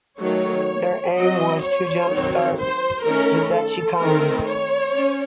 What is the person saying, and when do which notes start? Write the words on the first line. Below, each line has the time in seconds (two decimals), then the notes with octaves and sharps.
Their aim was to jump start the Dutch economy.
0.20 D#3 F#3 A3 C#5
1.15 F#3 C4 D#5
1.63 C#5
2.10 D#3 F#3 C4
2.58 C5
3.05 D#3 A3 C#4 A#4
3.53 A4
4.00 D#3 A3 C4 A#4
4.48 C#5
4.95 C#4